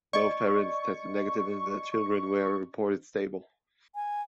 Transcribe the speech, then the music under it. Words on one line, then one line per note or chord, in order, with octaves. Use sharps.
Both parents tested negative and the children were reported stable.
D5 D#5 C#6
G#5